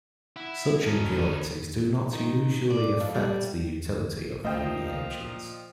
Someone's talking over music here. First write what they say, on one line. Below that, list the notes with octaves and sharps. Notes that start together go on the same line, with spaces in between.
Such impurities do not usually affect the utility of the reagent.
E4 F#5
B2 C#4 D#4 A5
G1 F#3 B5
D#3
D5
F2
G3
A#2 F3 A3 D#5 G5